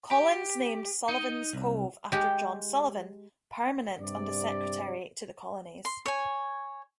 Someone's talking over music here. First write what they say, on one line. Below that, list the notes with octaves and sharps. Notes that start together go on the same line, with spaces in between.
Collins named Sullivans Cove after John Sullivan, Permanent Under Secretary to the Colonies.
G4
D#4 D#5
C2
G#3 G4
G2 C3 D5
C6
C#5 G#5